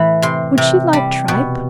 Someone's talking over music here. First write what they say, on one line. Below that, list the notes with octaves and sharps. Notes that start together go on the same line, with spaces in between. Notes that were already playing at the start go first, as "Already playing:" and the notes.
Would she like tripe?
Already playing: A2 E3 A3 B5
C3 C6
C3
G3
B2